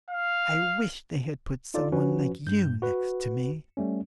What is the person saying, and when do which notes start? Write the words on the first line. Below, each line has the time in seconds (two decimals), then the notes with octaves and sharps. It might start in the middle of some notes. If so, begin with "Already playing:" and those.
"I wish they had put some one like you next to me."
0.10 F5
1.74 D#4 F4 A4 D5
1.92 F3 C#4 F#4 B4
2.46 G2 G6
2.82 F#4 B4
3.77 G3 A3 C#4